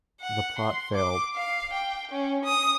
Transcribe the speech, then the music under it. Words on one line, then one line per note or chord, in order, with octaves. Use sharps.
The plot failed.
F#5
C6
D6
F5
G5
C#4
D#6